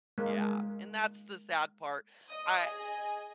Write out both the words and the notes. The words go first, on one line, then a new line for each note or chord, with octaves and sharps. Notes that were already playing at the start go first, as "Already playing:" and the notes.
Yeah, and that's the sad part. I
G#3 A#3
D#5 D#6
G#4 D#5 G#5